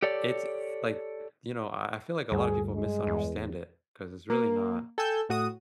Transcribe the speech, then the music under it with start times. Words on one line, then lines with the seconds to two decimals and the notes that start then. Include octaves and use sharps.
it's, like, you know, I I feel like a lotta people misunderstand it 'cause it's really not
0.02 G4 A4 C#5 D5
2.32 D2 G2 G3 G#4
2.73 G#3
3.07 E2
4.30 A#3
4.98 A4 G5 G#5 E6 G6
5.29 A2 F#4 D#6 D#7